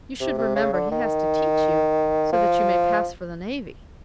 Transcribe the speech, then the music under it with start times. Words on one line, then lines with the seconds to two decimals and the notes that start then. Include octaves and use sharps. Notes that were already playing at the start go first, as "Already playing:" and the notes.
You should remember he has to teach you, so that you may pass for the navy.
0.20 C3
0.38 C3
0.55 C#3
0.73 D3
0.91 D#3
2.32 F3